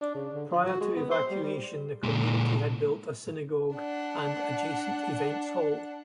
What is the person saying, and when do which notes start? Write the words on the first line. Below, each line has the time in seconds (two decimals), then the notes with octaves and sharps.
Prior to evacuation the community had built a synagogue and adjacent events hall.
0.01 D4
0.15 C#3
0.33 D3
0.52 F3
0.66 F#4
0.81 G#3
0.96 B3
1.11 C5
1.30 G3
1.43 G3
2.04 A#2 G#3
3.74 D4 F#5